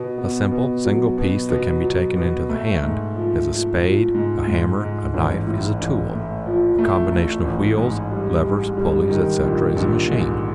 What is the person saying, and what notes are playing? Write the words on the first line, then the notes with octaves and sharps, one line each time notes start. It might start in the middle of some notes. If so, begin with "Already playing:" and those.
A simple, single piece that can be taken into the hand, as a spade, a hammer, a knife, is a tool; a combination of wheels, levers, pulleys, etc., is a machine.
Already playing: B2
B3
B2
F#3
B2
B2
F#3
B2
A3
G#2
F3
F3
F3
G#2
G#2
G#2
A1
A2
A1
A3
F3
A3
A3
A1
G#2
G3
G#2
G3
D#3
A#1
A#1
G#2